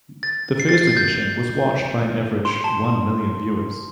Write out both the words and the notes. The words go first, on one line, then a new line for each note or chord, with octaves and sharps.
The first edition was watched by an average one million viewers.
A6
C7
A6
C7
A6
G6
C6
A5